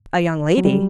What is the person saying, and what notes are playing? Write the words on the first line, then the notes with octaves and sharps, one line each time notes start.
"A young lady?"
F#3
G3